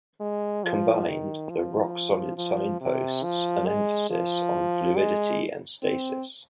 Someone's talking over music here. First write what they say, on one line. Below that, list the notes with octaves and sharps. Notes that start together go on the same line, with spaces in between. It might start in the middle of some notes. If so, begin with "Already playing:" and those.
Combined, the "rock solid" signposts an emphasis on fluidity and stasis.
G#3
F3
D#3
F3
F3
C3
F3
G#3
F3
G#3
C4